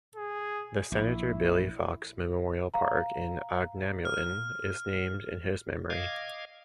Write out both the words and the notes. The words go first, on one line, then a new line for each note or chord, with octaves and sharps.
The Senator Billy Fox Memorial Park in Aughnamullen is named in his memory.
G#4
A#1 E4
F5 A#5
F6
D#5 F5 D6 G#6